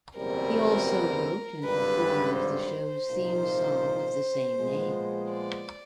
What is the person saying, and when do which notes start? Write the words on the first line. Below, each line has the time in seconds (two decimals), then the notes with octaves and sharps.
He also wrote and performed the show's theme song of the same name.
0.16 F#1 E2 B2 G3 C4 A#4
1.63 G#1 G2 D3 G3 B4
2.37 C5
3.10 C2 A#2 F3 A#3 D#4
4.57 A#2 F3 G#3 B3
5.30 D5